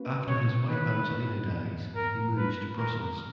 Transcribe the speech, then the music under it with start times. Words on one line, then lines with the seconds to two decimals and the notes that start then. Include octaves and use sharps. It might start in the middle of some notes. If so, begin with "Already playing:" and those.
After his wife Angelina dies he moves to Brussels.
Already playing: A#3 C#4 F#4 B4
0.27 B2 C#5
0.69 A#3 D#4 G#4 B4
1.11 G#2
1.53 F3 B3
1.95 G#2 A#4
2.36 F3 G#3 C#4 F4 B4
2.78 D#3 A#4